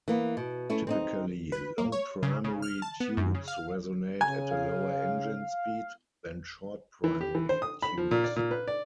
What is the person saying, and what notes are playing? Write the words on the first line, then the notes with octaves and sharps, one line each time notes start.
Typically, long primary tubes resonate at a lower engine speed than short primary tubes.
E3 A#3 B3
B2
A3 C#4 E4
C4 D4 D#4
B4
A#3
C#5
C#3
C#3
F6
A5
B3
F#2
C#3
F5
C#3 G#5
F5
E3
G4
E3
C5
D#6
B5
F3
A#2
D5
A#2
B4
D5